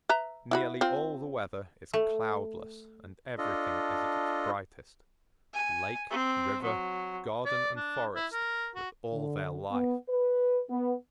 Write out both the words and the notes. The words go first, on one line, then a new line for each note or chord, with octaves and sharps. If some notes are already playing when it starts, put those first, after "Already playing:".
Nearly all the weather is cloudless and everything is at its brightest--lake, river, garden and forest with all their life.
B4 E5 A#5
E4 F#4 B5
C4 F4
A3
D4 F4 A4 D#5
G#5
C4
F#3
D5
D4
E4
A#4
F#4
D3
B3
B4
B3